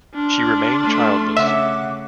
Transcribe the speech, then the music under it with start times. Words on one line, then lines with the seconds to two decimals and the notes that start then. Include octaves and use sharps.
She remained childless.
0.15 D4 C6 F6
0.82 A3
1.37 C#3 E5 F#5 D6 F#6